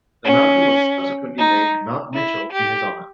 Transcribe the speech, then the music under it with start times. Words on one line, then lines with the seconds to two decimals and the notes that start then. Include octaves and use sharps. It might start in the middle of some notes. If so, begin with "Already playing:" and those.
The mountain was subsequently named Mount Mitchell in his honor.
0.25 C#4
1.38 D#4
2.14 E4
2.52 G4